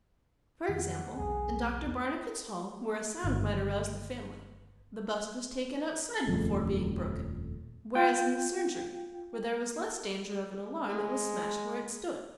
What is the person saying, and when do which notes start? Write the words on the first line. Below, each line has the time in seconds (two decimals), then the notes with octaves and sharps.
For example, in Dr. Barnicot's hall, where a sound might arouse the family, the bust was taken outside before being broken, whereas in the surgery, where there was less danger of an alarm, it was smashed where it stood.
0.68 F2 D#3 A#3 F#5
1.17 B1 E2 G#4
3.24 G1 D#3
6.27 D#1 F2 C#3 A3
7.95 F4 G5
10.89 G#3